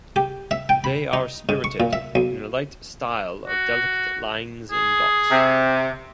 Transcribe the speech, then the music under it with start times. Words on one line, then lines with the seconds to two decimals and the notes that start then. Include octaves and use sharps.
They are spirited, in a light style of delicate lines and dots.
0.16 G4
0.51 E5
0.69 G5
0.84 B5
1.13 D#4
1.49 G#2
1.64 C#6
1.80 A#2
1.93 E5
2.15 B1
3.46 F#4
4.71 G#4
5.31 C3